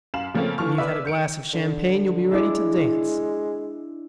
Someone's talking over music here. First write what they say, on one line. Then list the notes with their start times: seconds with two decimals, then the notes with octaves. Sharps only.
When you've had a glass of champagne, you'll be ready to dance.
0.14 F#2 F5 E7 F#7
0.34 C#3 F3 A3 A#3 C4 C#4
0.58 D3 E3 F3 A5 C#6 F6
0.78 B4 D5 E5
1.06 G6 C#7 D7
1.53 D3
2.31 G#3 D4 E4 D5